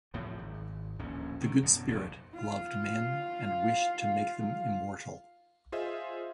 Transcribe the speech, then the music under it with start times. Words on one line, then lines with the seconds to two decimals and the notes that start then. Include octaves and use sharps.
The Good Spirit loved men and wished to make them immortal.
0.14 A2 C3 F3 F#3
0.39 G#1
0.99 D1 A#1 D#2 C#4
1.41 D3 D#3
1.63 F#2 B2 D3
1.87 F1 A#1 A2
2.35 F4 F5
5.72 F4 G#4 C5 D#5 E5 F6